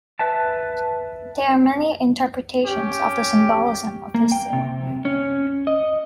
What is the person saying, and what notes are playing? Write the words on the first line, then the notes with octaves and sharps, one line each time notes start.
There are many interpretations of the symbolism of this seal.
B4 E5 A5
C#4 G4
A#3
G5
C3
C#4
D#5